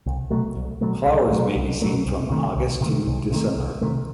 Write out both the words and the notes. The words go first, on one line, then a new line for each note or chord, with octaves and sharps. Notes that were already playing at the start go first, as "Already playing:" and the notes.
Flowers may be seen from August to December.
C2
B2 F#3 A3
C2
B2 F#3 A3
C2
B2 F#3 A3
C2
B2 F#3 A3
C2
C3 D#3 A3
C2
C3 D#3 A3
C2
C3 D#3 A3
C2
C3 D#3 A3